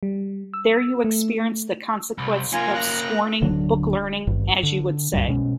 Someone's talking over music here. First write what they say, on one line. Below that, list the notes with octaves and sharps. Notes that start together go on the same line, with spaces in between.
There you experience the consequence of scorning “book-learning,” as you would say.
G3
E6
A3
C2
A#3 C#4 F4 G#5 A#5
A#5 F#6
D1 D3 F#3 D4
G#1 G2
D3
C2 F#2 G3
B2 G#3 C#4